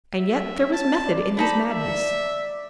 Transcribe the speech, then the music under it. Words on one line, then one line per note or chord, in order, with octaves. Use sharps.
And yet there was method in his madness.
E5
A5
D5
D4 D#4 D5 A5 B5
E5